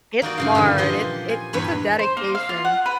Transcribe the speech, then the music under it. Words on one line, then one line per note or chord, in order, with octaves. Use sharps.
It's hard, it it it's a dedication.
A#3 D#4 F#4 D5
G2 C#3 F5
A#2 D3 E3 G3
F3 G4 C5 D#5 F#5 C6
G#5
E2 G2 B4 C#5 B5
C5
A#3
F5
F4
F#5
B4